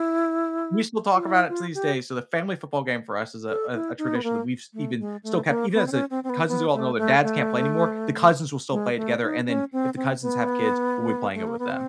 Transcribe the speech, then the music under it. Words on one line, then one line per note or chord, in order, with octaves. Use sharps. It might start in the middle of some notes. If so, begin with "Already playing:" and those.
We still talk about it to these day, so the family football game for us is a a a tradition that we've even still kept even as the cousins are all grown, their dads can't play anymore, the cousins will still play it together, and then if the cousins have kids, we'll be playing it with them.
Already playing: E4
F4
E4
F4
G4
A4
E4
D#4
B3
A#3
A3
G#3
A3
A#3
B3
C4
C#4
C4
C4
B3
B3
A3
A3
A3
G#3
A3
D#4
C#4
C4
C4
B3
A3
A#3
B3
C4